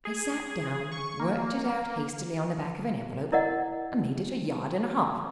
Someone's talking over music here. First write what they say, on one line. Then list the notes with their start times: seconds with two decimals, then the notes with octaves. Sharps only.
I sat down, worked it out hastily on the back of an envelope, and made it a yard and a half.
0.05 G#4
0.92 C#6
1.20 A#3
3.32 E4 A#4 D5 D#5 F#5